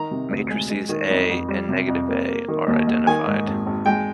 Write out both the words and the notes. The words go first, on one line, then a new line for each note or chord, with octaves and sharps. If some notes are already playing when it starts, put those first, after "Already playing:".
The matrices "A" and "-A" are identified.
Already playing: D#3 A#5
C3
D2
G#3
G#3
D#3
F2
F2
G3
C3
F2
A#3
A#3
D#3
D#2
D#2
D#3 G#5
G#2
G#1
G#1
G#3 G5